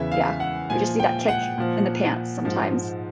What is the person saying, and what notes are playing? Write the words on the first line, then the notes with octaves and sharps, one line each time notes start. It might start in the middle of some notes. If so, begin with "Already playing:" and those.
yeah. We, just, need that kick in the pants sometimes.
Already playing: E2 C#3 E3 E5
F5
F#5
A#2 F3 G#5
G5
F#5
A#2 F3
G#2 F3